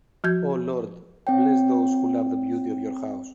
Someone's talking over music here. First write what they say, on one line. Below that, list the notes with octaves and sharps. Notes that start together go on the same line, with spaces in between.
O Lord, bless those who love the beauty of your house.
F3 F#4 G6 G#6
C4 C#5 G5